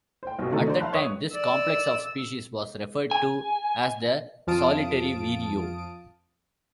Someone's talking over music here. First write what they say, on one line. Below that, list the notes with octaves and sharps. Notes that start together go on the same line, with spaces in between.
At that time, this complex of species was referred to as the "solitary vireo".
C5 G5
B1 B2
C3 D#3 F#3 A3 D#4 A4
D4 C5
E5 F5 A5 B5 C6 F#6
C#5 D#6
D5 E6
G#5
F2 F3 F5 A5 D#6 D7